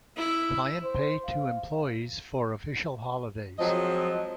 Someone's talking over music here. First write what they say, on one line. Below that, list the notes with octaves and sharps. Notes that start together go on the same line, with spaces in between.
Client pay to employees for official holidays.
E4
C5
F5
F3 F#3 G#3 C4 D#5